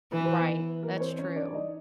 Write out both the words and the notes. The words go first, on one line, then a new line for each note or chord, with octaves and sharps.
Right, that's true.
E3 B4
C5
B3 B4
A#3 A#4
C#5
C4 C5
C#4 C#5
D4 D5
D#4 D#5